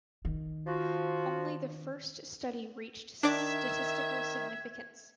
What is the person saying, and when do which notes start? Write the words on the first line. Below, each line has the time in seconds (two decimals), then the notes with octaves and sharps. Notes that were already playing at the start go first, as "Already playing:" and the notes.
Only the first study reached statistical significance.
0.25 D#3
0.65 F3 F4 F#4
3.23 D#3 D4 D5 E5 G#6